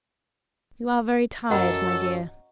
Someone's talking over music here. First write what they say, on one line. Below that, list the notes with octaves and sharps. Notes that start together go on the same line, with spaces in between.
You are very tired, my dear.'
F#2 A4 D#5 F#5 A#5 E6